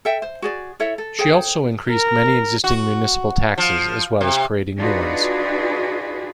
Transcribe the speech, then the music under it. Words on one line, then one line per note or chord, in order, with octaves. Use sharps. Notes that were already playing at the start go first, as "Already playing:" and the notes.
She also increased many existing municipal taxes as well as creating new ones.
A4 E5 G5
C5
F#4 G#4 D5
E4 A4 C#5 E5
A4
G#4 A4 C5 G5
A#4
F#4
F3
C3
D4 D#4 F4 F#4 G#4 B4